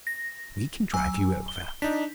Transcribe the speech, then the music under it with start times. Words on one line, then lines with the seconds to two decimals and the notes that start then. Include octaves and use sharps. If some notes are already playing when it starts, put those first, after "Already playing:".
We can drive you over.
0.07 A#6
0.94 F#3 G#5
1.48 G7
1.82 D4 D#4 B6